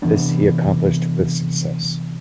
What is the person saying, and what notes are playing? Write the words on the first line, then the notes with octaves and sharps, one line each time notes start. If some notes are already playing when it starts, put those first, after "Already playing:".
This he accomplished with success.
C3 E3 B3 D4